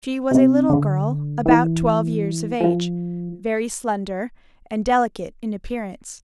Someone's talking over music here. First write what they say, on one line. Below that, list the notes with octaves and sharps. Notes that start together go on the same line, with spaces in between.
She was a little girl about twelve years of age, very slender and delicate in appearance.
C3
D3
E3
F3